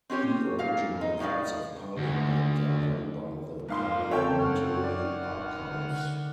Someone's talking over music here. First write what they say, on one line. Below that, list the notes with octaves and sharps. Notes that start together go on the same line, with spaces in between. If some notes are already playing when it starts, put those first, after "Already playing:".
The original Acts of Parliament are held by the Parliamentary Archives.
C4 C#4 G4 C#5
A#2 F5
D#4
A2 G#3 D#4 D5 F5
D2
G#2 F3 A#3 F5 C6
C#3 C4 A4 C#5 G5 A5
F#2 D#3 F#5 F6
D5
D#1
D3